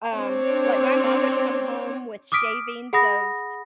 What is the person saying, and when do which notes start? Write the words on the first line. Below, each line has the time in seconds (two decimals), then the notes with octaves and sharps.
um, like, my mom would come home with shavings of,
0.15 C4 D4 C#5
2.32 D6 D#6 F6 B6 D7
2.93 G#4 F#5 B5 D#6 A#6